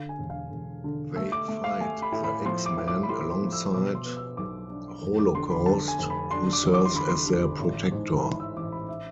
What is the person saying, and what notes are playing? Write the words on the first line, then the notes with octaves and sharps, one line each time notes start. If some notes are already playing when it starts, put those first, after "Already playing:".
They fight the X-Men alongside Holocaust who serves as their protector.
Already playing: D3 F5
G#5
E1
F5
E1
D3
A3 E6
D6
A3
F5
A3 G#5
B5
A2
B5
F3 C6
D6
A2
D6
B5
A2 C6
C6
F3
E6
B2 D6
C6
B3
E6
B1 D6
D4
F1
D6
D3 C6
B5
D3 A5
G#5
F1
B5
D4 C6
D6
E2
D6
C6
D3 B5
C6
D3
A1
G#2
E3 B5
E6
A1 D6
B5
E5